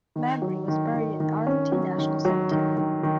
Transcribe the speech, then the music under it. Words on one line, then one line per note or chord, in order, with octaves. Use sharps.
Mabry was buried in Arlington National Cemetery.
D#3
F#3
D#3
D#3
D#3
C#4
F#3
D#3
F#3
D#3
D#3
D#3